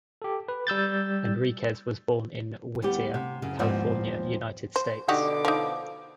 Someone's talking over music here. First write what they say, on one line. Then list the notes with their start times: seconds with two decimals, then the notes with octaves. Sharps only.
Enriquez was born in Whittier, California, United States.
0.22 G4 A4
0.48 B4
0.67 G3 E6 G6 A6
2.82 D2 G3 B3 G4
3.14 C3
3.42 F#2 C#3
3.59 D#2 G#2 F3 B3 C4 D5
4.76 C5
5.08 B2 D3 D#4 F#4 G4 D6
5.45 F3 D#4